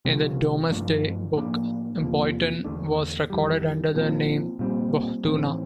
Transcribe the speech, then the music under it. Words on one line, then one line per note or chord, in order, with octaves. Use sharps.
In the Domesday Book Boyton was recorded under the name "Bohtuna".
C2 C3 F3 A3
G2 F3 A3 D4
A2 F3 A#3 D4
E2 C3 F3 A#3
E2 D3 A3 D4
F2 E3 G3
A#2 F3 C4
A#2 G3 C4
A2 E3 A3 C4